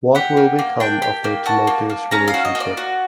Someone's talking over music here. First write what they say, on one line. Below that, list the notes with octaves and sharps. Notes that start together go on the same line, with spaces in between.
What will become of their tumultuous relationship?
G4 F#5
A#3
A#3
D4 G5
G4
A#3
F#4 A5
A#3
A#3
C#4 A#5
F5
F#4
D#5
A#3
D5
F#4